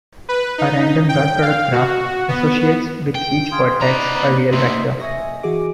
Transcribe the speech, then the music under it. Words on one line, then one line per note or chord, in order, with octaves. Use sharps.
A random dot-product graph associates with each vertex a real vector.
B4
D#4
G5
F5
F#4
B3
G5
F4 G#4
B3 D#4 B4 D5 A#5
D2 A#2 D#4 E5 C6
D#5 E5 G#5 C#6 D#6 A#6
E3 F#4 G#4 D6